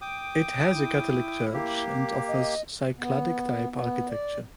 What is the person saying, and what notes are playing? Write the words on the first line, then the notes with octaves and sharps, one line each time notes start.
It has a Catholic church, and offers Cycladic type architecture.
G5 D6 D#6
E4
A#3 G4
D#5
B3
B3
D5